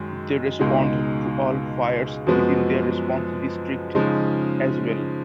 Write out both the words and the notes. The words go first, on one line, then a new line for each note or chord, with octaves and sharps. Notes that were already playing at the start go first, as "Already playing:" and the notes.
They respond to all fires within their response district as well.
Already playing: F#2 D#3 G#3
C#2 B2 G#3 D#4
F#2 F3 G#3 B3 F#4
C#3 F3 G#3 D#4